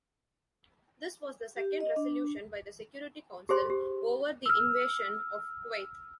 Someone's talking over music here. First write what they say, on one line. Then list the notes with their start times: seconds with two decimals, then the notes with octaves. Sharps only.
This was the second resolution by the Security Council over the invasion of Kuwait.
1.56 G4
1.81 D#5
1.96 D4
3.49 G4 G#4 C5 C6
3.70 G4
4.46 E6 F6